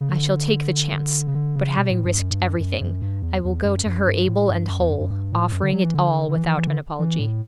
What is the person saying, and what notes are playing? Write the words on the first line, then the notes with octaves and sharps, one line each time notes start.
'I shall take the chance; but having risked everything, I will go to her able and whole, offering it all without an apology.'
C#3
D3
C#3
D3
C#3
B2
A2
G2
F#2
G2
F#2
F#2
F#2
G2
E2
E2
F#2
F#2
G2
A2
G2
F#2
E2
F#2
F#2
G2
A2
F#2
D3
F#3
E3
D3
D3
E3
E3
E3
D3
E3
A2